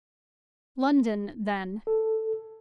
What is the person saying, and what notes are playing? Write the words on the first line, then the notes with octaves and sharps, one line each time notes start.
"London, then."
A4